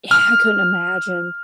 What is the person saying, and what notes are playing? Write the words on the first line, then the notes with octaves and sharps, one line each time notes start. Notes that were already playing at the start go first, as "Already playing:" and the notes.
Yeah, I couldn't imagine.
F6